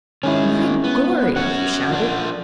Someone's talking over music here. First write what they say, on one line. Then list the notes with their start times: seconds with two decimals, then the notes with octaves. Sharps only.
"My gorry!" he shouted.
0.23 D#3 G#3 C#4 E4
0.84 B3
1.36 C#4 F#4 F#5
1.91 F3 D4